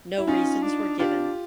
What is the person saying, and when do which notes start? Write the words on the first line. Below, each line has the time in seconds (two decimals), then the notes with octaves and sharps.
No reasons were given.
0.18 E4
0.27 C#4 D#4 F4
0.63 D4
0.99 D4 F4 G4